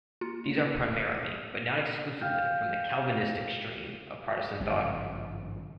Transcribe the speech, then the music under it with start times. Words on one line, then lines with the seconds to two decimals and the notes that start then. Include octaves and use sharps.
These are primarily, but not exclusively, from the Calvinistic stream of Protestant thought.
0.21 A#3 F4
2.21 F5 G5 F6 G6
4.60 G#1 G2 C#3 F3